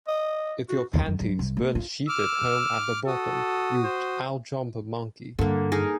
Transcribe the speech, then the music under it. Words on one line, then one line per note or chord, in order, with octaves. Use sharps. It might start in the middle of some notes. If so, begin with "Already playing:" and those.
If your panties weren't sheeted home at the bottom, you'd outjump a monkey.
D#5
F#4
D#2
F#2
F#2
C2
A#3
F4
D6 E6 F6
F#4 A4 D#6
C5
G2 D3 A#3
D#4 G#4 A#4